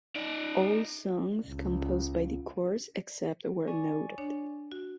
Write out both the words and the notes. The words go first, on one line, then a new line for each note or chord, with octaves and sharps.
All songs composed by The Corrs except where noted.
D#4 D5
C#2
D5 G#5 C#6
D4 C#5
F#4